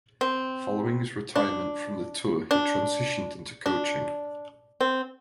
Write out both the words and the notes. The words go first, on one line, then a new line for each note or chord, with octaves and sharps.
Following his retirement from the tour he transitioned into coaching.
C4
D4
D4
D4
C4